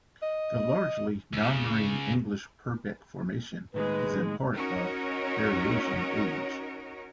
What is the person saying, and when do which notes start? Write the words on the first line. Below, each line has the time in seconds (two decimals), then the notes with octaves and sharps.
The largely non-marine English Purbeck Formation is in part of Berriasian age.
0.23 D#5
1.33 C#2 C#3
3.74 A2 D#3 G#3 A#3 B4
4.54 C#4 D#4 F#4 A#4 C#5